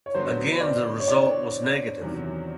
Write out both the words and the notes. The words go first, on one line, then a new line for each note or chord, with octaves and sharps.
Again, the result was negative.
C#5
D3 F#3 B3 D4 C5
D5
C#5
D5
E2 C3 D#3 F#3